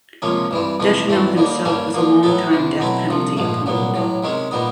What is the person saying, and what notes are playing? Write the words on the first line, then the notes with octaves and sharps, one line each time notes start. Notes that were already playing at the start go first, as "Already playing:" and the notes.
Deschanel himself was a longtime death penalty opponent.
C#2 C3 F3 A#3 C#4
G2 E3 G3 C4
F2 C3 E3 A3
G2 E3 A3 C4
D#2 D3 G3 A#3 D#4
G2 D3 G3 A#3 C#4
D3 F3 A#3
A2 F#3 B3 E4 A4
E2 C3 E3
B2 F#3 A3 C4 E4
C2 C3 F3
A#1 G#2 F3 A3
C2 A#2 F#3 B3
A1 A2 F#3
C3 D#3 G#3 C#4
A#2 G3 B3 D#4